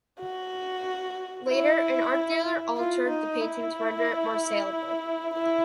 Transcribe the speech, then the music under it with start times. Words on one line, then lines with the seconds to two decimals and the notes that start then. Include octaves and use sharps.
Later an art dealer altered the painting to render it more saleable.
0.20 F#4
1.49 E4
2.78 F4
3.09 D#4
3.41 E4
5.34 E4